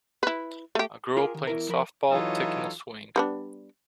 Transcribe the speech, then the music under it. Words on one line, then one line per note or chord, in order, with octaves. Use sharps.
A girl playing softball, taking a swing.
E4 B4
A3 G4
F4 G4 G#4 A#4
D#3
E2 E4 A#4
F3 A#4 B5
E3 F#3 D#4 F4 A4 C#5
G3 B3 D4